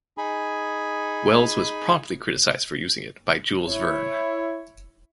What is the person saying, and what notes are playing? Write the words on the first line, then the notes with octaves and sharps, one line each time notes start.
Wells was promptly criticized for using it by Jules Verne.
D#4 G#4 G#5 B5
E4 C#5